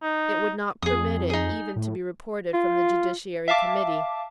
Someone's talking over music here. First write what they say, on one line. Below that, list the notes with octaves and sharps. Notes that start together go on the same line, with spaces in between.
It would not permit it even to be reported from the Judiciary Committee.
D#4
F2 G#4 D#6
D#4 G#4
A2
F4
E5 F5 A5 D6